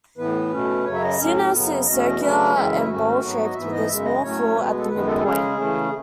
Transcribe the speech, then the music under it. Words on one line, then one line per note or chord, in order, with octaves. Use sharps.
Sinas is circular and bowl-shaped, with a small floor at the midpoint.
A2 E3 B3 B4
B2 A3 C#4
F#2 C#3 F#3 C#5
E5
D#5
A2 F#3 C#4
F#2 C#3 F#3 B3
E2 B2 A3 C#4 D#5
E5
D#5
C#3 F#3 A3 C#4 B4
F#2 C#3 E3 G#3 C#4 E5
E4
G#2 D#3 A3 C#4 F#4
G#2 F#3 B3
D#5
G#2 E3 B3 E5
D#5
F#2 C#3 G#3 E5
D#5
A2 F#3 A3 C#4 C#5
B2 G#3 B3 B4
A4
F#2 D#3 G#3 B3 B4
A4
A4
C#3 G#3 C#4 G#4
C#3 E3 A3 C#4